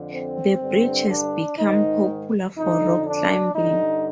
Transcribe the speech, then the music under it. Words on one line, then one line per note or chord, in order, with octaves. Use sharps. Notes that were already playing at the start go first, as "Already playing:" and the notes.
The bridge has become popular for rock climbing.
Already playing: F2 D3
C4
G2 D3
D4
G#2 D#3 D#4
F2 D3 D#4
D4
G2 D3 D#4